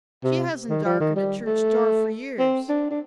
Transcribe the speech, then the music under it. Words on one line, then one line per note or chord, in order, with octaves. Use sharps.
She hasn't darkened a church door for years.
C3
D#3
F3
D#3
G3
A3
C4
D4
D4